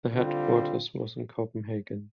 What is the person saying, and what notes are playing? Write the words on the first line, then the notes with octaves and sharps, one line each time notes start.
The headquarters was in Copenhagen.
D3 G3 C4 F4